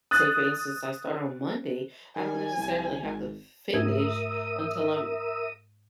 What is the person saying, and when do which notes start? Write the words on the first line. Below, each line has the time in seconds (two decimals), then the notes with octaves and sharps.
say for instance, I start on Monday, I don't necessarily have to f finish until I'm r
0.11 D#6 F#6 A6
2.16 D#3 G#5
2.57 C2
3.02 G#1
3.74 G#2 A3 A#4 E5 D#6 G#6